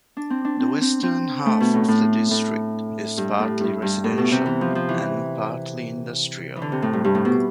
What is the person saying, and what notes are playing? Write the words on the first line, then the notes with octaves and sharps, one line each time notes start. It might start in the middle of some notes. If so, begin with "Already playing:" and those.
The western half of the district is partly residential and partly industrial.
D4
C4
D4
C4
C4
C4
A3
B2
A2
A2
A2
G2
A2
G2
G2
A2
B2
C3
E3
F3
F3
E3
E3
D3
C3
A2
G2
G2
A2
B2